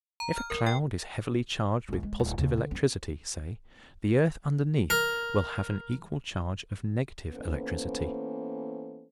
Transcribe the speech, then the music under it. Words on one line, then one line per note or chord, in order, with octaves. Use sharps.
If a cloud is heavily charged with positive electricity, say, the earth underneath will have an equal charge of negative electricity.
A#5
F6
A#4
G5
C#2 B3
G#3
D1
D#2 C#3
D3
B3 C4
A#4
E3 A#3 B3 C#4 A4 C5